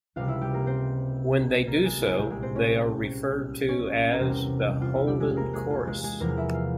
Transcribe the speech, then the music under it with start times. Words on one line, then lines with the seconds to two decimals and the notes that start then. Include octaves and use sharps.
When they do so, they are referred to as The Holden Chorus.
0.16 C#2 C3 G3 F4 F5
0.28 E4 E5
0.41 G3 G4
0.54 A#3 A#4
0.66 C4 C5
1.67 A#3 A#4
1.84 G#3 G#4
2.01 E4
2.11 G#4
2.17 C2 A#2 G3 G#3 G4
2.30 G#3 G#4
2.42 C4 C5
2.55 C#4 C#5
3.69 C#4 C#5
4.13 A#4
4.19 E2 C3 G3 C4 C5
4.69 G3 G4
4.82 F4
4.95 E4
5.07 G3 G4
5.20 G#3 G#4
5.36 A#3 A#4
5.53 G#3 G#4
5.70 F4
5.87 G#3 G#4
6.03 G#3 G#4
6.20 E2 C3 F3 G#3 A#3 A#4
6.37 E4 E5
6.54 F4 F5